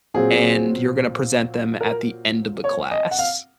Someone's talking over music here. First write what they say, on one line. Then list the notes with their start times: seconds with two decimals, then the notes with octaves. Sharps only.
"and you're gonna present them at the end of the class,
0.14 A#2 F#3 C4 G#4
1.81 A#4
2.64 C#5
2.91 D#5
3.11 F#5
3.19 F5